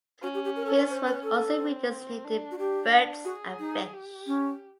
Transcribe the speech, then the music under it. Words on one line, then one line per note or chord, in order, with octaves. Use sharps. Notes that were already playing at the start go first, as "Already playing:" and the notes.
His work also features native birds and fish.
C#4 F#4
G4
G4
A#4
A4
A#4
C5
B4
A4
C4
D4
F#4
D4 G4
F#4 G#4
D#4
G4
C#4